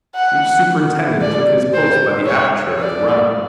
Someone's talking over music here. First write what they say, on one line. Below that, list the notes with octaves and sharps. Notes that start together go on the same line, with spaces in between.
Each superintendent took his post by the aperture of the run.
F#5
D5
C5
C#5
D5